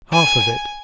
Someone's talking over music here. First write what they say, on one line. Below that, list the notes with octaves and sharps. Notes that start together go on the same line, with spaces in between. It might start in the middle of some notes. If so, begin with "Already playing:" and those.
"Half of it."
G#5